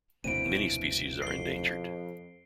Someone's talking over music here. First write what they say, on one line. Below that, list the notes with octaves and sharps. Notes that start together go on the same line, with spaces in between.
Many species are endangered.
F1 D2 B2 A#3 C4 E4 D7 D#7
F2 C7 G7